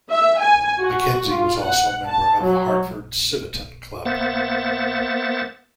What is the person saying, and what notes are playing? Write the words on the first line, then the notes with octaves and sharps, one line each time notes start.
Mackenzie was also a member of the Hartford Civitan Club.
E5
G#5
F#4
F4
F#5
A5
F#3
A#3 B3 C5 E5 F#5 A6